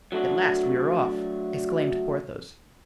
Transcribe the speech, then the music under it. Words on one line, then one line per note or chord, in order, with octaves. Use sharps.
"At last we are off!" exclaimed Porthos.
F#3 A3 D4 F#4